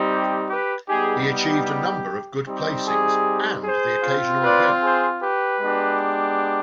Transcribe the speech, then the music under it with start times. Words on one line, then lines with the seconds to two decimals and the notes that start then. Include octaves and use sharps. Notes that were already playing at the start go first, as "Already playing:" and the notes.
He achieved a number of good placings and the occasional win.
Already playing: G3 C4 D#4 G4
0.48 G4 B4
0.88 G3 B3 D#4 G4 G#4
1.28 G4
2.46 G3 C4 D#4 G4
2.85 G#4
3.64 G#4 C5
4.04 C4 F4
4.43 B4 D5
4.82 G#4 C5
5.21 G4 B4
5.61 G#3 B3 D4 G4